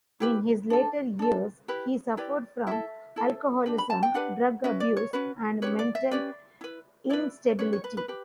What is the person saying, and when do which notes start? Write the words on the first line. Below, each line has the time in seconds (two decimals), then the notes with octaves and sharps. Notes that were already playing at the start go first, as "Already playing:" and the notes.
In his later years, he suffered from alcoholism, drug abuse and mental instability.
0.20 E4 G4 B4
0.70 D4 A4
1.19 D4 A4
1.68 E4 G4 B4
2.17 E4 G4 B4 D5
2.67 E4 A4 E5
3.16 E4 A4
3.66 D4 G4 B4
3.78 B5
3.90 A5
4.03 G5
4.14 D4 G4 B4 F#5
4.64 C#4 F#4 B4 E5
4.80 D5
4.97 C#5
5.13 C#4 F#4 B4
5.62 C#4 G4 B4 C#5
5.79 D5
5.95 E5
6.11 C#4 G4 B4 D5
6.61 E4 B4
7.10 E4 B4 D5
7.59 C#4 G4 B4 C#5
7.73 C#5
7.84 B4
7.97 B4
8.08 G4 B4